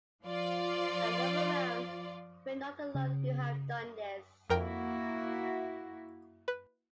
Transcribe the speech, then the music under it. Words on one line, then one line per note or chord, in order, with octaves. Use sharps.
And look around, we are not alone who have done this.
F3 F4 D5
C#3
F2 A#3 E4 F#4 A#4 G5
B4